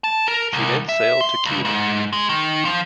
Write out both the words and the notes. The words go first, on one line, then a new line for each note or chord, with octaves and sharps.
She then sailed to Cuba.
A5
A#4
C2
E5
C6
C#2
G#2
G#3
D#3
F3